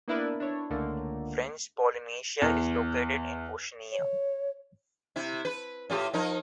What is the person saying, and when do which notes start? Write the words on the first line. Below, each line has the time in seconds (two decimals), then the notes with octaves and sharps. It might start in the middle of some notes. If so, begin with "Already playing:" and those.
French Polynesia is located in Oceania.
0.08 A#3 B3 D4 E4 A#4 B4
0.40 D4 E4 C#5
0.70 C#2 D3 A3 A#3
2.42 E2
3.92 C#5
5.16 C3 E4
5.45 B4
5.90 A2 F4 G4
6.13 F3 D#4 A#4